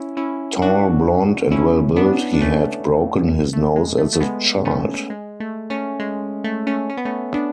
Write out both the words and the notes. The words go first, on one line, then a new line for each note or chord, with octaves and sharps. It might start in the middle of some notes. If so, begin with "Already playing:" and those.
Tall, blonde and well-built, he had broken his nose as a child.
Already playing: C#4 E4
C#4 E4
D4 F#4
C#4 E4
B3 D4
D4
A3 C#4
A3
G#3
A3
A3
G#3 B3
A3 C#4
G#3
A3
A3 C#4
G#3
A3
A3 C#4
C#4
B3
A3 C#4
B3 D4